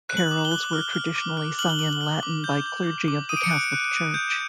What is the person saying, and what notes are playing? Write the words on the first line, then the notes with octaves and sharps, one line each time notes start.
Carols were traditionally sung in Latin by clergy of the Catholic church.
F#6
F#7
D6
G7
F#6
F6
F6
D6
F6
F6 F#7
G7
D6 F#7
F6
D6
G6
G6
D6
D6
D#6 D#7
D7
C#7
F#6 D7
F#6
F#6
G6